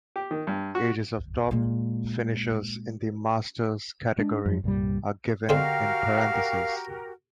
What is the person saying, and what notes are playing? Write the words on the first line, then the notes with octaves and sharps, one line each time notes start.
Ages of top finishers in the Masters category are given in parentheses.
G4
D#3
G2
F#4
A#2 G#3
G#3 D4
F#2 F3
C2 G2 A#2 G3
D3 G#3 C4 F#4 G4 A#4 F5